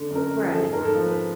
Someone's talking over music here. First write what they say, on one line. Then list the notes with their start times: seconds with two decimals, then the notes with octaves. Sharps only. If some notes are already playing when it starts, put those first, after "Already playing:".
Right, right.
Already playing: D3
0.10 F#2 A#4
0.27 F#2
0.38 G#4
0.43 F3
0.51 A4
0.60 G#2 G#4
0.73 G#2 A#4
0.83 A4
0.95 F3
1.06 B4